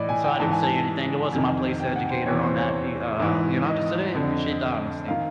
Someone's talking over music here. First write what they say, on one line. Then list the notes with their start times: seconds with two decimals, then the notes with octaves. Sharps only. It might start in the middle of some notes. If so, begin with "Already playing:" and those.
and so I didn't say anything, it wasn't my place to educate her on that, e uh uh, you know, just today, I appreciate the honest thing.
Already playing: A2 E3 D5 D#5
0.09 G#5
0.24 G5
0.40 G#2 E3 A5
0.52 G#5
0.63 A5
1.32 F2 C3 D#3 G#5
1.80 G5
1.96 F#5
2.10 C5
2.26 E2 C3 E3 C#5
2.42 C5
2.58 C#5
3.20 G#2 E3
3.67 D#5
4.14 F2 D3
5.08 D#3 F5